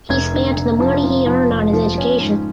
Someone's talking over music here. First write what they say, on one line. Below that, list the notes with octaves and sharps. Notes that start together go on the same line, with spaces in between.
He spent the money he earned on his education.
F1 G#6
D3
F1
F3
F3
F3
F1
F3
C#4
G#2